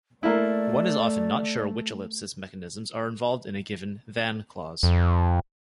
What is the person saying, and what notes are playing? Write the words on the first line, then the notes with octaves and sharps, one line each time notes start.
One is often not sure which ellipsis mechanisms are involved in a given "than"-clause.
A3 A#3 E4 D5
F2